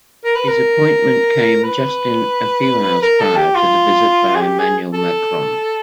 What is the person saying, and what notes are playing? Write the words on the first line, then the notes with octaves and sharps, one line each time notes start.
His appointment came in just few hours prior to the visit by Emmanuel Macron.
A#4
B4
A#4
B4
A#4
A4
G4
F4
G#4
G4
G#4
A4